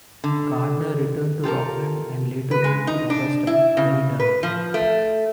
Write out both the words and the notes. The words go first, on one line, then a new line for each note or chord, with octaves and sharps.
Gardner returned to Rockland and later moved to Augusta, where he died.
D3
F4 G4 A4 A#4
B4
G#3
D#4
D4
E4
C#3
B4
F3
A3